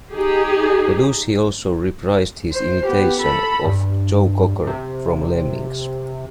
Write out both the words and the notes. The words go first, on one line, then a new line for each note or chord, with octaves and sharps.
Belushi also reprised his imitation of Joe Cocker from Lemmings.
D#4 G4 G#4
C5
B3 G4
A4 B5
G2
C3